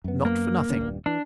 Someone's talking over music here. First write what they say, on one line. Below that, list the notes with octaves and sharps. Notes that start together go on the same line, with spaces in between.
Not for nothing!
F#2 B3
A#3
D#1 D3 C#4
D#1 G2 G3
E3 D4